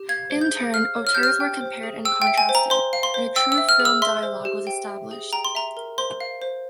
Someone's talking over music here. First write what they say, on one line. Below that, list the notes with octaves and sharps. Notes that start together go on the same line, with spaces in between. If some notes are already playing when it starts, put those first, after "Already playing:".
In turn, auteurs were compared and contrasted, and a true film dialogue was established.
Already playing: G4
F5 G#6
C5
G6
G#4
F5 F6
C#5
F6
G4 G6
F6
G5
C5
G#4
G5 E6
G5
E5
G#5
C5
A#5
C5 C6
F5
C6
C5
G5 E6
E6
E5
F6
G#4
E6
E5 C6
C5
G4
G5
E5
G#4
G5 A#5
C6
E5 A#5
A#4
C5 C6
F5
C5